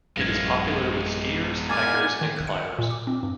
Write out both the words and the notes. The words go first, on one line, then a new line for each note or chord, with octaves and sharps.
It is popular with skiers, hikers and climbers.
A1 F#2 G#3 B3 F5 G#6
A#2 G#5 D6 F6 G#6 A6
D#3
F#6
C#7
A#4
A#2
D6
C4
G2